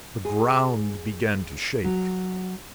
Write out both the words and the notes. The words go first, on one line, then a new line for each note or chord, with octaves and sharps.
The ground began to shake.
G#4
F#3